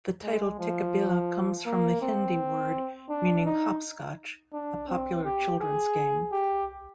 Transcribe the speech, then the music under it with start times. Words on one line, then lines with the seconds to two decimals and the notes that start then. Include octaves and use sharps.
The title "Tikkabilla" comes from the Hindi word meaning "Hopscotch", a popular children's game.
0.23 G#3
0.59 F3
1.66 A#3
2.02 C4
3.09 D4
3.45 D#4
4.53 D4
4.89 C4
5.25 G4
5.60 G#4
6.32 G4